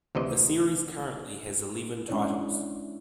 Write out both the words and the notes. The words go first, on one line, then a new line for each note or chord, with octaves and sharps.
The series currently has eleven titles.
D2 C3 E3 D#5
G#3 C#4 D4 E4 C#5 D5